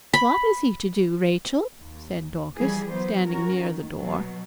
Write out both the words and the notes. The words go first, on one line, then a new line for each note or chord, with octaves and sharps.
'What is he to do, Rachel?' said Dorcas, standing near the door.
B5
D#2
E3 F3 G3 G#4
F#3 B3 C5
C#4 F#4 A#4
D#3
B2 F#3